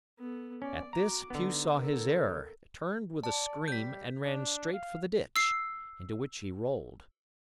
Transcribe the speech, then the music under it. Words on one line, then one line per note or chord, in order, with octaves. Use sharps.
At this Pew saw his error, turned with a scream, and ran straight for the ditch, into which he rolled.
B3 A4
C#4 D5
F#4 A#5 D6
D3 B3 D#4
A4 A#4
D5 A5
G3 G6 B6
D4
F5
E6 C7